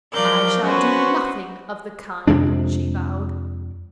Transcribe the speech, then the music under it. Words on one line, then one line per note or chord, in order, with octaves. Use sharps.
"I shall do nothing of the kind," she vowed.
F3 F#3 A#4 D5 G6
B3 C#4 F#4 B4 C5
F2 C3 G#3 D4